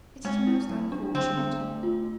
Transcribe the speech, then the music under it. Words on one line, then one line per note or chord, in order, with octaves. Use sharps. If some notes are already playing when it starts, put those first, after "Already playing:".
'It is most unfortunate!
G#3 C#4
E4
F#3
D4
D3 C4
B3
A3
F4